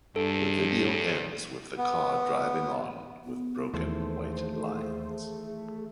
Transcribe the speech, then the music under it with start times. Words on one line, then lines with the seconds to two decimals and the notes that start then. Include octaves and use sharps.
The video ends with the car driving on with broken white lines.
0.16 E2 G2 A4
1.78 B3
3.24 B3
3.74 D#2 D#3 E3 A3 G#4 C5